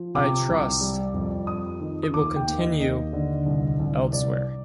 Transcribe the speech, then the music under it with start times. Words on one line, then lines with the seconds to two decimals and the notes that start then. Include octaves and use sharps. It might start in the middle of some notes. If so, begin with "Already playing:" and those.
I trust it will continue elsewhere.
Already playing: F3
0.15 C3 D6
0.48 C2
0.81 G3
1.14 F2
1.47 F2 D#6
1.80 D#3
2.03 D#6
2.14 D#2 D6
2.36 G5
2.47 D#2
2.58 D#5
2.80 D#2 D#5
3.13 D3
3.46 C2
3.79 C2
4.13 C2 D5